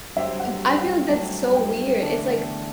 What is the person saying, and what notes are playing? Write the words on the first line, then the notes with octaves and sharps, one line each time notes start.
And I feel like that's so weird. It's like
G2 F#3 C4 G4 C5 E5
F#5
G5
F#5
G5
G2 F#3 A3 C4
G5
E2 D3 A3 D4